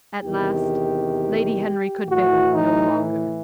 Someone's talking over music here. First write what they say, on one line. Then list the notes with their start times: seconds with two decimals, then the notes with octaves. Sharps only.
At last Lady Henry could bear it no longer.
0.23 E2 C3 D#3 G4
2.08 A2 E3 F#4
2.55 D#4